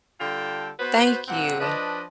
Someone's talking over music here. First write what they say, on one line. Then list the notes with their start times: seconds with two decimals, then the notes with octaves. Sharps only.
Thank you.
0.21 D3 G3 F4 A4 G5
0.80 B3 F#4 B4 C5
1.28 G2 A#2 C4 F#5
1.61 F3 D4 B4 D#5